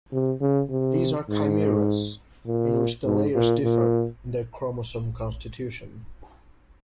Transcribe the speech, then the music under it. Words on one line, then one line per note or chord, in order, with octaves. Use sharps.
These are chimeras in which the layers differ in their chromosome constitution.
C3
C#3
C3
G#2
A#2
G#2
A#2
A#2